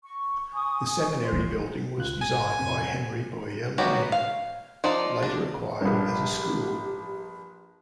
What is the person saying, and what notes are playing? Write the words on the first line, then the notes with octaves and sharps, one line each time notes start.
The seminary building was designed by Henry Bowyer Lane, later acquired as a school.
C#6
G#5 C#6 D#6
C5
E3 F3
C#2 F4 F#6
G#1 G#5
F2 C3
F#3 B3 F#4 G4
F5
F3 D#4 D5
D4
A#1 G2 G4